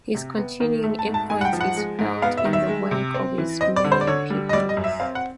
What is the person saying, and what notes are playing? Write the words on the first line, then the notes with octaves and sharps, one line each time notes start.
His continuing influence is felt in the work of his many pupils.
C3
B3
D#3
A3
A5
G#2
A5
G#2 G#5
F#5
G5
F3
F#5
G#3
G#2
B3 F5
E5
D#3
E5
G#3
C3
C4
E3
C4 D#5
D5
D3
C5
D5
D3 C#5
G3
D#5
G3 D5
D#5
F#2
E5
C4 F5
F#5